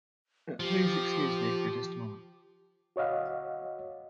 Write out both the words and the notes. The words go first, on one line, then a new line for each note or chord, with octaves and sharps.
Please excuse me for just a moment.
F3 G4
F#4 C#5 D#5 F5 F#5